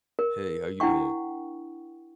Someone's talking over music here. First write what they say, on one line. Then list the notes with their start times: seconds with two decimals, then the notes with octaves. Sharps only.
Hey, how you doing?
0.19 A#4
0.80 D4 E4 F#5 G5 C#6